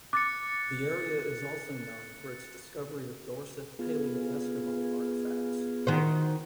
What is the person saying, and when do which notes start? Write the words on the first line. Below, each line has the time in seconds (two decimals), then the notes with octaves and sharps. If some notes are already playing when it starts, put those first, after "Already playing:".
The area is also known for its discovery of Dorset Paleoeskimo artifacts.
0.13 D6 F#6 A6 C#7
3.79 B3 F4 G#4
5.87 D#3 F#4 C5